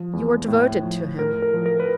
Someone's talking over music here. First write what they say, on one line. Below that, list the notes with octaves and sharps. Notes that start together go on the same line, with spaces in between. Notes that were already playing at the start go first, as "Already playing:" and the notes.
"You are devoted to him."
Already playing: F3
E2
A2
F3
A2 A#4
A#4
F3
A#4
B4